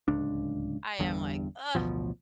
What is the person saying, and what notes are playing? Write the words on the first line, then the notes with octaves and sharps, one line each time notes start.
I am like, "Ugh."
D1 C#2 D4
G1 E2 G2
A1 D2 B2 F3